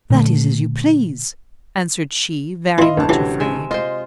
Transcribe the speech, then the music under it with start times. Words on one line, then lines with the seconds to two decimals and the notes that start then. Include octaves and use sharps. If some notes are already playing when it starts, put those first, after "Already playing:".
"That is as you please," answered she, very much afraid.
0.10 A#2 D3 A3
2.78 E3 E4 D#5 F5 C6
2.97 A1 D3 A5
3.09 C3 E3 F#3
3.40 G#3 E5
3.71 F4 C5 D#5